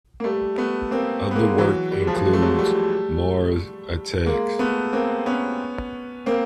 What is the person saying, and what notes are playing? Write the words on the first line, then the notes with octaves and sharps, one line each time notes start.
Other work includes: Mars Attacks!
A#3
G3 A3
A3 B3
A#3 C4
B3
G#3 A#3
E3 F#3
G3
G#3
F3 G3
G#3
A3
F#3 G#3
G3 A3
G#3 A#3
A3 B3
A#3 C4
B3 C#4
A#3 C4